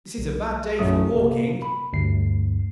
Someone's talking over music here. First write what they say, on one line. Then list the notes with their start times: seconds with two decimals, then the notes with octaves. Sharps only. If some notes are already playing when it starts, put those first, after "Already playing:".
'This is a bad day for walking!
0.18 B1
0.79 B1 F#2 F#3 A3 D#6
1.15 C3 A#3
1.62 B5
1.93 D2 G2 C7